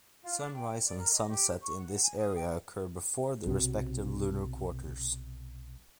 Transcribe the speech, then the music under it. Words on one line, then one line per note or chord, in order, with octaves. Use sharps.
Sunrise and sunset in this area occur before the respective lunar quarters.
F4
D4
G5
D5
A#4
D#5
G4
C#6
F#5
G#5
D#6
G5
B1 C3 F#3